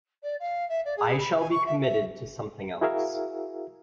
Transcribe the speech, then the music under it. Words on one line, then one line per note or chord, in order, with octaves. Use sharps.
I shall be committed to something else.
D5
F5
E5
D5
G#4
B5
G#5
C#6
E5
E5
E4 F#4 G#4 A#4 E5 F5